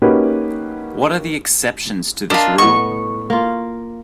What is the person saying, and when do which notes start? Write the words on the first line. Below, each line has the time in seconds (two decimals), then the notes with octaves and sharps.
What are the exceptions to this rule?
0.02 A#3 C#4 D#4 F#4 G4 B4
2.30 D4 F4 A#4 D#5 E5
2.58 A2 B3 D#5 C#6
3.30 A#3 F4